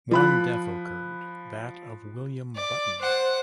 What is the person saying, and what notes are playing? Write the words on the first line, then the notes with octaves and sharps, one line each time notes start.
One death occurred, that of William Button.
F3 B5 F#6
D5
C5 F#5